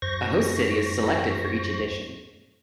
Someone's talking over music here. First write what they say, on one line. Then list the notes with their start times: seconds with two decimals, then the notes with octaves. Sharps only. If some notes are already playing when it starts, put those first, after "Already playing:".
A host city is selected for each edition.
0.02 F#2 C5 C#6 A#6